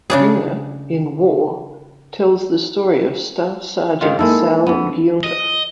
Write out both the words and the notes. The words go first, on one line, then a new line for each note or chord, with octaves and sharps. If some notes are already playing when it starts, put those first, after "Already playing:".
Junger in "War", tells the story of Staff Sergent Sal Giunta.
C#3 D4 G#4
G#2 D#3 F4
G#3 A#3 D#4 E4 A4
F2 B3 D4
D#5